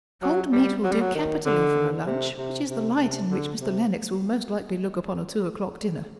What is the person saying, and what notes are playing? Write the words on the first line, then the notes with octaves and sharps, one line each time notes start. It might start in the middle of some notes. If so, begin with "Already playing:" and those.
Cold meat will do capitally for a lunch, which is the light in which Mr. Lennox will most likely look upon a two o'clock dinner.'
F#3
G3
F#3
G3
F#3
D#3
D3
C3
C3
C3
C3
D3
C3